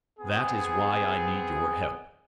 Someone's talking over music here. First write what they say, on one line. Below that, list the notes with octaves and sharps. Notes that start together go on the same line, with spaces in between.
That is why I need your help.
B3 C4 G#4